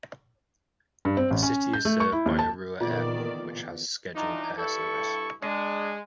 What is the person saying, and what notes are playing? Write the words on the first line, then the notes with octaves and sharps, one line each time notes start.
The city is served by Arua Airport, which has scheduled air service.
G2
C4
A1
C#4
G6
A3
C#6
E4
D#2
A5
E2 A#2 D3 D#3 F4 D5
E3 D4 D#4 F4
G2 E4 A4 C#6
G#3 D4